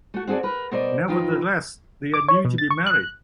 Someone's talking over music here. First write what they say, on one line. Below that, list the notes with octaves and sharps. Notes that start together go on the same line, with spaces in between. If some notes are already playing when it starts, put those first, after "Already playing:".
Nevertheless, they are due to be married.
A3 F#4
C4 F#4 G#4 A4 D5
A#4 B4
B2 A#4 C5 D5 D#5
F3 D#4 F4 B4 G5
D6
C#5
B2
A6
C#6
F#6